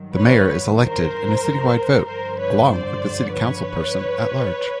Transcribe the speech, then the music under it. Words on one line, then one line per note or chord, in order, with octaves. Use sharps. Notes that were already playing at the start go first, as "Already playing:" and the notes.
The mayor is elected in a citywide vote, along with the city councilperson-at-large.
Already playing: G2 D#3 F#3
B4 C#5
A#4 C5
G2 D3 F3 A#4 C5
B4 C#5
C5 D5
B4 C#5